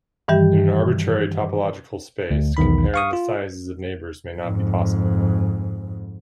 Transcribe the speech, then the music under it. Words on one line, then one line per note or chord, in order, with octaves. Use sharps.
In an arbitrary topological space, comparing the sizes of neighborhoods may not be possible.
G2 D#3 E3 G3 G4 E5
D2
B1 E2 D#3 B5
F5 C#6 D#6
F4
F2 G#2